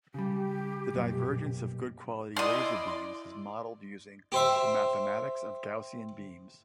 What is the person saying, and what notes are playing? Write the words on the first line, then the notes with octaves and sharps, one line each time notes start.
The divergence of good-quality laser beams is modeled using the mathematics of Gaussian beams.
C#3 G3 G4
B1 F#2 A#2
E4 D5 D#5 C6 D#6
G4 C5 E5